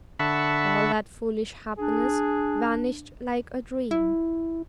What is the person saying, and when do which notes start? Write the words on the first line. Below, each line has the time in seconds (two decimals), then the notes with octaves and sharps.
All that foolish happiness vanished like a dream.
0.19 D3 E5 F#5 A5 B5 C#6
1.79 D4 G#4
3.91 E4